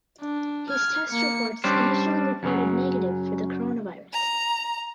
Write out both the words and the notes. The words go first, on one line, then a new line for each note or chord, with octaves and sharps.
His test reports initially reported negative for the coronavirus.
D4
F6 G#6
A#3 C#7
G3 C#4 D4 C5
F#2 C#3 F3 F#3
A#5